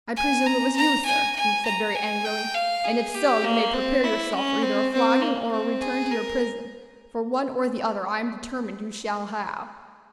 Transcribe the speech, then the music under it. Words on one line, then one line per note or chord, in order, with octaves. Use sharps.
"I presume it was you, sir," he said very angrily, "and if so, you may prepare yourself for either a flogging or a return to your prison, for one or the other I am determined you shall have."
G#5
A#5
A#5
G#5
G#5
A#5
G#5
G5
F5
G#4
G4
A#3
C4
E4
C#4
C4
C4
A#3
C4
G#4
A#4